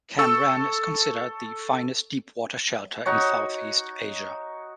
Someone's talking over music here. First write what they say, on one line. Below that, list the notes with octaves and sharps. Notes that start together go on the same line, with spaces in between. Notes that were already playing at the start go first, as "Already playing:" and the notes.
Cam Ranh is considered the finest deepwater shelter in Southeast Asia.
A4 C#6 E6
D#4 F#4 C#5